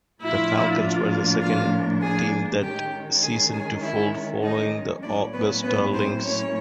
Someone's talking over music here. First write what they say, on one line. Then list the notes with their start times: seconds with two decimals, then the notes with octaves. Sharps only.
The Falcons were the second team that season to fold, following the Augusta Lynx.
0.22 A2 F3 A#3 D4 E4 F4 E5
1.42 F4 F5
2.02 G#4 G#5
2.62 D#3 G#3 C#4 G4 G5
3.23 G#4 G#5
3.53 G#4 G#5
3.82 E4 E5
4.42 D#4 D#5
5.02 A2 F#3 A#3 C#4 D4 E4 D5
5.33 B3 B4
5.62 B3 B4
5.93 C4 C5
6.23 C#4 C#5